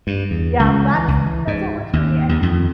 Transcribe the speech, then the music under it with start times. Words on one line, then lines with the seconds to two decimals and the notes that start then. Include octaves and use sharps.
Yeah, that's that's what works for me, and
0.07 G2
0.31 E2
0.59 C#2
0.94 E3
1.08 C#2
1.26 E3
1.47 G#2
1.93 D#2
2.29 D#2
2.42 F2